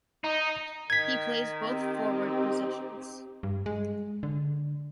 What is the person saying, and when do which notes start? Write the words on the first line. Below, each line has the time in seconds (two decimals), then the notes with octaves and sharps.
He plays both forward positions.
0.24 D#4
0.90 D#3 G#6 B6
1.66 C4 D#4 G4
3.43 G2
3.66 G#3
4.23 D3